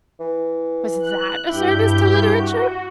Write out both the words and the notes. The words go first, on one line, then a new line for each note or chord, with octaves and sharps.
Was that a service to literature?
E3
F#6
G2 E4 G4 G6
F#4